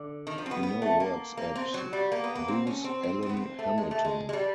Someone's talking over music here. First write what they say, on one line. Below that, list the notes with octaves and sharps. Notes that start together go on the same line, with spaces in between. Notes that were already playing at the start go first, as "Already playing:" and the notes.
He now works at Booz Allen Hamilton.
Already playing: D3
D#3
F3
C4
B3
B3
A3
A#3
A#3
C4
F#3
G3
A#3
B3
A#3
C4
C#4
C4
C4
C4
B3
C4
A3
G#3
A3
G#3
G#3
G3